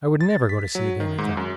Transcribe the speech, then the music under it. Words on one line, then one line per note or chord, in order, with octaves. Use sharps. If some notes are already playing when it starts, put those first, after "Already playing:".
I would never go to sea again, I thought.
A6
B6
F#3
D#3
G#2
F#2